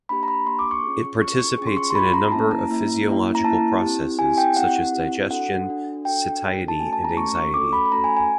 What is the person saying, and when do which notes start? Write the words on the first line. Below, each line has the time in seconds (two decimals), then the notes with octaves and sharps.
It participates in a number of physiological processes such as digestion, satiety and anxiety.
0.09 A#3 D4 G4 B5
0.23 A#5
0.28 B5
0.47 A#3 D4 G4 C6
0.59 D6
0.71 C#6
0.84 C#4 F4 G#4
1.21 C#4 F4 G#4 C#6
1.39 C#6
1.58 C#4 F4 G#4
1.67 C6
1.77 C#6
1.90 C6
1.95 C#4 F4 G#4 B5
2.14 A#5
2.32 A#3 C#4 E4 A5
2.51 A#5
2.70 A#3 C#4 E4
3.07 A#3 C#4 E4
3.35 A#5
3.44 A#3 C#4 E4 A5
3.82 C4 E4 G4
4.18 C4 E4 G4 G#5
4.38 G5
4.56 C4 E4 G4 F#5
4.93 C4 E4 G4
5.30 D4 F#4 A4 F#5
5.68 D4 F#4 A4
6.05 D4 F#4 A4 G5
6.42 D4 F#4 A4
6.68 A5
6.79 A3 C#4 F#4 A4 G#5
6.93 A5
7.04 A#5
7.17 A3 C#4 F#4 A4 C#6
7.35 C#6
7.54 A3 C#4 F#4 A4 D6
7.73 B5
7.86 B5
7.92 A3 C#4 F#4 A4 A#5
8.04 G#5
8.17 G#5